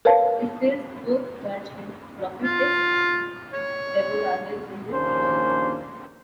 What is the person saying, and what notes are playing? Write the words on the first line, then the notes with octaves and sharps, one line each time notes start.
Israel's fourth judge and prophetess Deborah lived in this region.
A#4 B4 C#5 F5 A5
F4
C#5
A#1 D#2 A#3 C#4 D4 C5